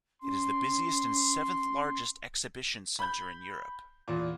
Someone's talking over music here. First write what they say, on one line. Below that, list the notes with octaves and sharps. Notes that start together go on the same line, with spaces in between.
It is the busiest and seventh-largest exhibition centre in Europe.
C#4 C6
B5 G6
E2 A#2